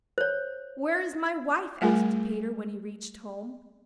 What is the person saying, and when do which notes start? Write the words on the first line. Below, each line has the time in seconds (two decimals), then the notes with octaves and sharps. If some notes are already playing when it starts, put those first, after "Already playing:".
'Where is my wife?' asked Peter, when he reached home.
0.18 C5 C#5
1.81 G3 A3 F4 G#4 A#4 G#5